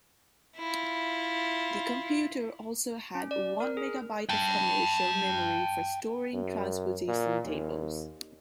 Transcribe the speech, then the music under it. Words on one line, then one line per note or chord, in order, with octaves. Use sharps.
The computer also had one megabyte of commercial memory for storing transposition tables.
E4 F4
C#4
D5
A#4
G#4
G5 A5
F#2
A#2
D#2